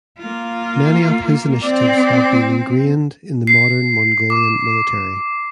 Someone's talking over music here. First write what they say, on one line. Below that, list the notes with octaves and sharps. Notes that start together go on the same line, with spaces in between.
Many of his initiatives have been engrained in the modern Mongolian military.
A#3 F4
C4 D5
C7
D6